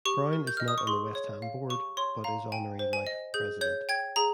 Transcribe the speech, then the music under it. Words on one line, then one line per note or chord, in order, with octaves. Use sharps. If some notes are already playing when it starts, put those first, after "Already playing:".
Brown is not on the West Ham board but is honorary life president.
G4 C#6
A#4
G6
D#5 F6
D#6
C#6
G#4 C6
C#5
F5
G4 C#6
C#5 C6
F5 A#5
G5 G#5
C5
G#5
D#5
G#4 G6
C#5 G6
G5 G#6
G#4 A#5